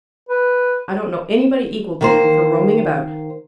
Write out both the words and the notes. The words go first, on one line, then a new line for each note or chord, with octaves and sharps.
I don't know anybody equal to them for roaming about.
B4
D#3 A#3 C5